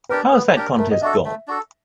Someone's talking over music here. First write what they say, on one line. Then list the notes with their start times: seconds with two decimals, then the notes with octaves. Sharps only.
How has that contest gone?
0.09 D4 G4 A#4 B4
0.32 B3 B4
0.56 D4 G4 A#4
0.78 A3 A#4
0.91 D#5
1.01 D4 F#4 A4 E5
1.25 A3
1.48 D4 F#4 A4